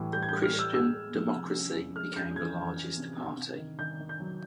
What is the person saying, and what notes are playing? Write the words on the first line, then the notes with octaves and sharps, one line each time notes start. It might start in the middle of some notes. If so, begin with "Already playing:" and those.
Christian Democracy became the largest party.
Already playing: A2 E3 G3
G3 G6
G#6
G3 G6
F6
G3
E6
G#3 E6
G#3
F3
C3
C#4
F3
G#3 F6
C#4 G6
E3 G#6
E3
C#4
C3
C3
C3
D#3
D#3 G6
D#3
G6
F#3